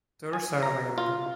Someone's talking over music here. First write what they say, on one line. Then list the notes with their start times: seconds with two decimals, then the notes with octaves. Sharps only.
Tours are available.
0.33 G#5
0.63 A#5
0.98 F4